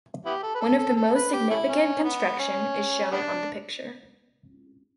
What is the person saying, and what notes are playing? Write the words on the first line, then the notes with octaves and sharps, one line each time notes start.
One of the most significant construction is shown on the picture.
B3 E4 G4
A4
B4
A4
A4
A4
B4
G4
A3 C#4 E4
C#4
B3
C#4
G3 B3 D4